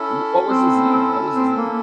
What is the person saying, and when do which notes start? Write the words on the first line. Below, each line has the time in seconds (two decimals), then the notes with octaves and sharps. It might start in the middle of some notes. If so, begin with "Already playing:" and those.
W what was his name? What was his name?
Already playing: C#4 E4 A4
0.49 C4
1.34 C4
1.56 A#3